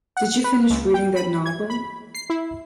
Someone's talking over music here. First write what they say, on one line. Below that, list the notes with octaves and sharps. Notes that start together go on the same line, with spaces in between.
Did you finish reading that novel?
F#5
B4
C#2
G5
B5
G#6
B5
C7
E4